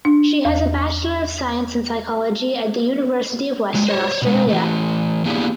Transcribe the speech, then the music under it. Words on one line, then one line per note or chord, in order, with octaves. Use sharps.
She has Bachelor of Science and Psychology at the University of Western Australia.
D4
E2
F#3 G#3
C5 C#5
B2 G#3
E3 A3
A#3 B3 D4 E4 G4 G#4